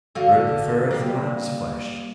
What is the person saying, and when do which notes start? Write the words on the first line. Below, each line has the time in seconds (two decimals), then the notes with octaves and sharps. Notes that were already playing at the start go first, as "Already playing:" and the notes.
For it preferreth lamb's flesh.
0.15 D3 F#4 F5
0.91 G3 A#3